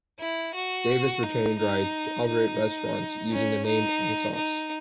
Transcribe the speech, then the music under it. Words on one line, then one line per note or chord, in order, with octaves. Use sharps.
Davis retained rights to operate restaurants using the name and sauce.
E4
F#4
D#4
D#4
D#4
C#4
D#4
D#4